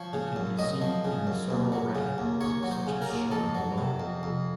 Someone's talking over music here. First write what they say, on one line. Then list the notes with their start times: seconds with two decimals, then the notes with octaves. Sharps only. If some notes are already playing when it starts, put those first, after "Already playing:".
It can be seen in the several rankings such as shown below.
Already playing: F3 C#5
0.13 C#3
0.36 F#2
0.59 F#2 D#5
0.82 F3
1.05 C#3
1.27 F#2
1.50 D#2
1.72 F#3
1.95 C#3
2.18 D#2
2.41 D#2 C#5
2.63 F#3
2.71 C5
2.87 C#3
3.02 A#4
3.09 D#2
3.31 F2 A4
3.55 F#3
3.78 C3
4.00 F2
4.23 F2